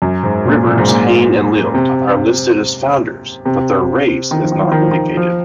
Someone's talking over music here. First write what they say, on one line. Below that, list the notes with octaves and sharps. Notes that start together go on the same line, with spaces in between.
Rivers, Hayne and Leeld are listed as founders but their race is not indicated.
F#2
G#2
A#2
A#2
G#2
A#2
C3
C3
D#3
F3
D#3
F3
D#3
F3
D#3
F3